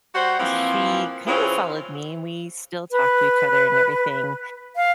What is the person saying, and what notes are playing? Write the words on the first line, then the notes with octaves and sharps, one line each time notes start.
she kind of followed me, and we still talk to each other and everything,
G3 F#4 C5 F#5
E3 F3 A#3 C4
E3 C4 C#4 F4 G#4
B4
F5